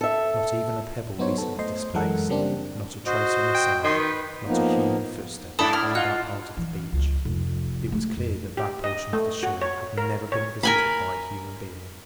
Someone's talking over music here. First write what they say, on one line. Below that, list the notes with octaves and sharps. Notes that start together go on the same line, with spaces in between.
Not even a pebble recently displaced; not a trace on the sand; not a human footstep on all that part of the beach. It was clear that that portion of the shore had never been visited by a human being.
A4 E5
F#3 B3 D#4 C5 C#5
B3 A4
A3 C5 D#5 C6
F#2 E3 G#3 A4 A#4 F#5
C#3 G3 A#3 C4 D4
F#4 C5 D#5
G5
D#3 D#5 C6
B4
F3 A#3 B3 D#4
G#2 D4 E4 A4 A5 B5 D#6
F6
F4 D#5 F#5 F#6
E3
C#2
F1
A3
F2
G4
D#5
A3
F#4
C#5
A#4
C#5
A#4 G#5 B5